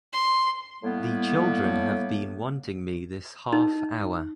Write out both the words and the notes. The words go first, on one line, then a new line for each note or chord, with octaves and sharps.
The children have been wanting me this half hour.
C6
A2 G3 A#3 B3
D#4